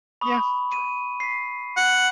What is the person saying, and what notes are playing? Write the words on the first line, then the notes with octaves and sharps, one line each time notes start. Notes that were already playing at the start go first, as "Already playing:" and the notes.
Yeah, true.
B5 C#6 D#6
D#7
B6 C7
F#5